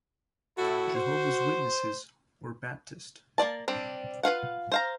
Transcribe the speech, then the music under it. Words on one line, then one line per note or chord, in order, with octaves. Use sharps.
Jehovah's Witnesses or Baptist.
A2 E4 F#4 A4
C5
A#3 F4 D5 A5
G3 C4 D4
F4 B4 F5 F#5
C5 F5 A#5